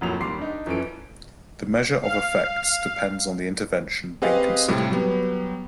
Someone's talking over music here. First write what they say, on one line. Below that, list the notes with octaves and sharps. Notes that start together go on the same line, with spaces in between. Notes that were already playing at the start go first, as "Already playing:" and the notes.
The measure of effects depends on the intervention being considered.
F1 A2 F#3 A#3 F4 F7
D#2 G3 C6 D6 C7
D4 D#4
F#2 E3 F3 C#4 A4 D7
F5
C4 G4 G#4 B4 D#5 F5
A2 C3 G3
F#3 G3 B3